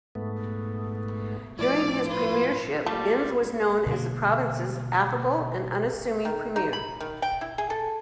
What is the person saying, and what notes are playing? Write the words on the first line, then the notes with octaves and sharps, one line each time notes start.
During his premiership, Binns was known as the province's affable and unassuming premier.
G#2 A3 B3
A2 F3 E4 D5
F4 B4
G3 A3 A#3 F4
B2 D3 F#3 A#3
D#3
D#4
B5
D#3
G5
E4
G#4
A4